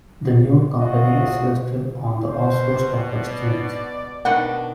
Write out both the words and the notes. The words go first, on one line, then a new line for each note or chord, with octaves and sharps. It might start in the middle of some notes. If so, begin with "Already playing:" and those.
The new company is listed on the Oslo Stock Exchange.
A3 F4 F#4 D5 D#5
B2 C5
D5
B2 D#3 D4 F#5